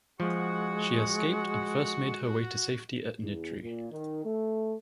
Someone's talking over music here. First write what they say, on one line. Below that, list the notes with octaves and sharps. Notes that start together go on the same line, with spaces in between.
She escaped and first made her way to safety at Niddry.
F3 G#3 F#4 C#6
E2
A#2
D#3
A3